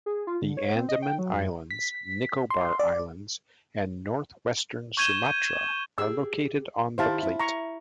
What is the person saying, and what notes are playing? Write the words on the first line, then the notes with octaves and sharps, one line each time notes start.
The Andaman Islands, Nicobar Islands, and northwestern Sumatra are located on the plate.
G#4
F4
D3
C#5
C4
D#5
G5
F#3
F#2
B6
C6
D5
C#6 G6 G#6 D#7 E7 G7
G4 G#4 E6
D#3 E4 G4 C5 F5 A5
E4
A#5 C#6